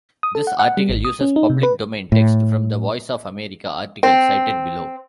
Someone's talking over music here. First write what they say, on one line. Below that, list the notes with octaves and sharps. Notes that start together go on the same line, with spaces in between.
This article uses public domain text from the Voice of America article cited below.
D#6
A4
F#5
F#5
G3
G#1
D#6
C#4
D#4
C3
B4
A2
C4